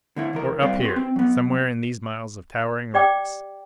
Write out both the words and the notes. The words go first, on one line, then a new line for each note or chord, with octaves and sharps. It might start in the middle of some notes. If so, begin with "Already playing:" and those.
Or up here, somewhere in these miles of towering rocks?
D3 A3 E4
D2 E3 A#4
F#2 G3 C4 C5 D5 F5
F#4 G4 B4 C6
C4
F#3 B3
G4 D5 G5 D6